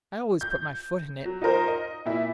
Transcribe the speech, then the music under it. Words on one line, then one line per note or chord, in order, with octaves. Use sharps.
I always put my foot in it.
G6
F#3
D#4 F4 A#4 C5
D#5
A#2 E4